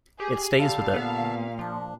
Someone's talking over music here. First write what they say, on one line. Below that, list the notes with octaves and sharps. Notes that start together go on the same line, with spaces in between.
It stays with it.
G4 G#4
D3 G3 A4 F5 A5
A#2 B3
F3 D4